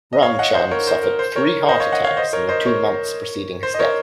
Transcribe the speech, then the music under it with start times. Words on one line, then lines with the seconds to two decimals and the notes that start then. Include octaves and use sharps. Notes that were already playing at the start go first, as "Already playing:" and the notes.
Ramchand suffered three heart attacks in the two months preceding his death.
0.13 D#5
0.22 C#5 F5
0.39 D#5 F#5
0.54 C5 D#5
0.71 A#4 C#5
0.87 C5
1.03 A#4
1.19 C5
1.36 A#4 C#5
1.69 C5 D#5
1.80 C#5 F5
1.92 D#5 F#5
2.04 C#5 F5
2.17 C5 D#5
2.33 A#4 C#5
2.49 C5 D#5
2.66 A#4 C#5
3.63 C5
3.74 D#5
3.79 A#4 C#5